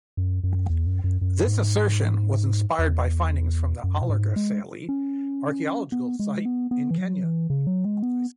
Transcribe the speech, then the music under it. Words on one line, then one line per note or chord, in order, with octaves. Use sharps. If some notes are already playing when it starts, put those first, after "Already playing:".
This assertion was inspired by findings from the Olorgesailie archaeological site in Kenya.
F#2
F#2
E2
F#2
F#2
F#2
G#2
E2
F#2
B2
G#2
G#3
C#4
B3
G#3
B3
B3
E3
F#3
E3
C#3
F#3
G#3
B3